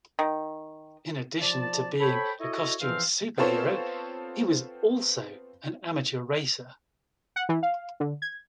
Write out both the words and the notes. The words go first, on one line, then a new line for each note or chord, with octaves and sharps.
In addition to being a costumed superhero, he was also an amateur racer.
D#3
F3 D5 A5
A4 C5 C#5 G5 B5
E4 F#4 A4 C#5 D#5
E2 E3 F3 C4 F5
B3 C4 F4 A4 C5 C#5
F#5
E3
F5
D3
G#6